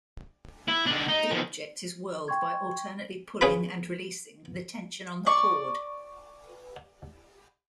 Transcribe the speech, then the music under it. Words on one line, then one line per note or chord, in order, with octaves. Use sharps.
The object is whirled by alternately pulling and releasing the tension on the cord.
E4
D#3 D4
D#4
D#3 F3
G5 C6 C#6 G#6
C#4 G#4 B4 F5 B5
D5 C#6